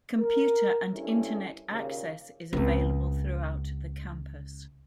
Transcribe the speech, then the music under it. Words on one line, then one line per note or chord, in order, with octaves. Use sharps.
Computer and internet access is available throughout the campus.
A#4
G2 C#4 E4 A4
D#2 A#2 C#3
C#2 C4